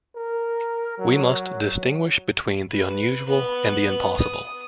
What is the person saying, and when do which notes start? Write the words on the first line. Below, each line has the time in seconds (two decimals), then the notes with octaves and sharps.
We must distinguish between the unusual and the impossible.
0.16 A#4
0.98 F#3
2.71 B4
3.26 B3
4.17 D#6